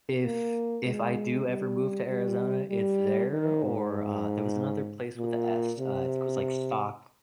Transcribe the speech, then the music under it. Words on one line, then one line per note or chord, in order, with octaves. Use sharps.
If if I do ever move to Arizona, it's there or, uh, there was another place with a S, uh, it was, like, Stock
A#3
G#3
G3
G3
G3
D#3
G#2
A#2
C3